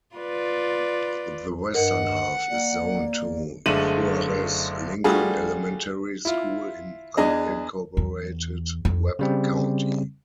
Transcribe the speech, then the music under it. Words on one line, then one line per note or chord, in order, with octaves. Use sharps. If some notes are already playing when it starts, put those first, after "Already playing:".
The western half is zoned to Juarez-Lincoln Elementary School in unincorporated Webb County.
F4 B4 D5
G2 A#4 D#5 F#5
A#3 D5
F#1 D3 G#3 A3 D#7 F#7
G3 A3 D4 F4 F#4 G#4
E4 F4
E2 D4 G#4 D#5
E2
F2
C#3 G3 C4